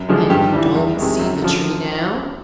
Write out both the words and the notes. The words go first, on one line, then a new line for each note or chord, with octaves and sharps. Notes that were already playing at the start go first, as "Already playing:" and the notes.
"And you don't see the tree now?"
Already playing: F#2
D3 F3 G#3
G2 G4
E3 G3
E2
C3 D#3 G#3
F#2
D3 F3